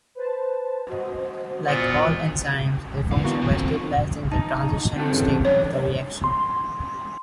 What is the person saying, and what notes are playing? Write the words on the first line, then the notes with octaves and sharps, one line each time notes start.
Like all enzymes, they function by stabilizing the transition state of the reaction.
B4 C5 A5
F#4 C5 D#5
A#2 B3 F4
G#1 D2 D3 E3 F5
E2 D3 A#3 F#4 C#6
F#2 A2 D#3
F2
D#4 A5
C4 F#4 A4
G2 C#3 E3
F#2 D4 C#5
C6